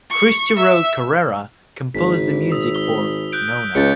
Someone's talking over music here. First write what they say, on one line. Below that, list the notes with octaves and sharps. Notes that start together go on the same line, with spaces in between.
Cristy Road Carrera composed the music for "Nona".
C#6
E5
G#1 B6
D#6 E6
G7
F#6 G6 D7
C#2 G6 A6 C#7